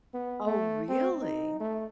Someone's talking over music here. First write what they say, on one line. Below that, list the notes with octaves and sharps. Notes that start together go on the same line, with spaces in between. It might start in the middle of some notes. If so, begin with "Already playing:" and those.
Oh, really?
B3
A3
C4
D#4
A3